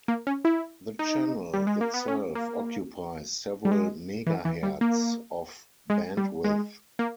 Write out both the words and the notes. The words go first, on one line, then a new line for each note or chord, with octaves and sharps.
The channel itself occupies several megahertz of bandwidth.
A#3
C#4
E4
D#4
G3
G#3
A#3
B3
C#4
A#3
G3
G#3
E3
E3
G3
A#3
G#3
G3
G#3
A#3